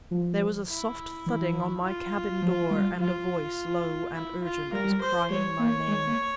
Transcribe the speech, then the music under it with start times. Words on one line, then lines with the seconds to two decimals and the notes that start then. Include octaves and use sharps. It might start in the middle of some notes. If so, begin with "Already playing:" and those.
There was a soft thudding on my cabin door, and a voice, low and urgent, was crying my name.
0.11 F3
0.69 E4
1.26 E3
1.84 F4
2.42 F3
2.71 G3
2.99 F3 F4
4.15 E4
4.44 F4
4.72 G3 A#4
5.01 C5
5.30 G3 C#5
5.59 A#3
5.88 G#3
6.07 A#3